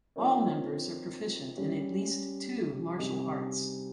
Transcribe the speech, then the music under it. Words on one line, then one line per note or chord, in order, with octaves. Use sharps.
All members are proficient in at least two martial arts.
F3 C4 D#4 A#4 C#5
G3 C#4 G#4
C3 G3 C4 D#4 G#4